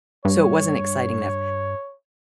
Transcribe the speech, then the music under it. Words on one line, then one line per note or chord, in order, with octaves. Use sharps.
So it wasn't exciting enough.
G2 C#5